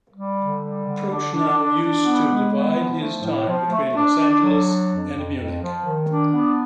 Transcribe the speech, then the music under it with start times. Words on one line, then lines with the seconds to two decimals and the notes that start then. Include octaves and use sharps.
Prochnow used to divide his time between Los Angeles and Munich.
0.14 G3
0.38 D3
0.63 G3
0.86 D3
1.10 D4
1.34 D4
1.58 D4
1.80 D4
2.05 B3
2.29 G#3
2.52 B3
2.76 F3
3.00 A3
3.23 A2
3.47 F3
3.70 A3
3.95 D4
4.18 D4
4.42 F#3
4.66 D4
4.90 F2
5.14 F2
5.37 F2
5.62 F3
5.85 D#3
6.09 D4
6.33 B3